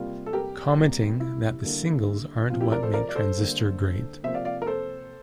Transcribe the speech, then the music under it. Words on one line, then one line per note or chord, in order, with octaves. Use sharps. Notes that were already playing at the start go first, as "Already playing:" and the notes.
Commenting that the singles aren't what make Transistor great.
Already playing: C3 G3 A#3 F4
A4
G4 A#4
C3 G3 A#3
E4
D3 G3 A#3
C3 F3 C4 F4
E4 G4
A#4 D5
A4 C5
A#4 D5
D5
A4 C5
D3 G3 A#3
C3 F3 A#3 C5 E5
D5 F5
D5 F5
A#4
A4 C5